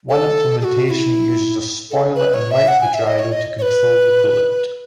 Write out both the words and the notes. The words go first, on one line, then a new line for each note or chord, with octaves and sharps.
One implementation uses a spoiler and micro gyro to control the bullet.
A4
G#4
F#4
F#4
E4
A4
B4
C#5
E5
F#5
G#5
E5
D#5
C#5
D#5
C#5
B4